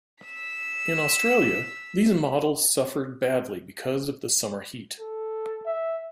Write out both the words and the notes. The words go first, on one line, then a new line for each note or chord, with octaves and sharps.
In Australia, these models suffered badly because of the summer heat.
E6 B6
A4
E5